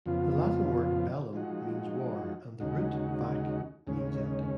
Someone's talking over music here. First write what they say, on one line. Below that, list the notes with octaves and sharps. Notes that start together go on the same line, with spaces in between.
The Latin word "bellum" means war, and the root "vac-" means empty.
F2 C#3 F3 B3 F4
F3 G#3 D#4 F#4
D#2 C#3 G#3 D#4 F#4
D#2 C#3 G#3 C#4